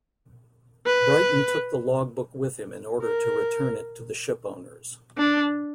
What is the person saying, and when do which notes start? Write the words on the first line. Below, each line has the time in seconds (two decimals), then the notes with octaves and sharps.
Brighton took the logbook with him in order to return it to the shipowners.
0.86 B4
3.02 A#4
5.18 D4